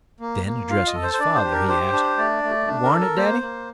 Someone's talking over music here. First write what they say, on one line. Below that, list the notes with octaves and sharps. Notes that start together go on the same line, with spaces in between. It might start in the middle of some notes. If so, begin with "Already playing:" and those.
Then addressing his father, he asked, "War'n't it, daddy?"
A#3
A#3
F4 F5
D#5
A4
C5
C5
D4 D5
C5
G4
A#4
G4 C5
D4
A3 D5
A3
D4
A#4
A4
A#4
A#3 C5
A#3